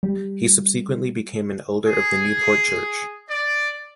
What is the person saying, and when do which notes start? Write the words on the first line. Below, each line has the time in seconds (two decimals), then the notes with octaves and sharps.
He subsequently became an elder of the Newport church.
0.03 G3
1.86 G#4
3.30 D5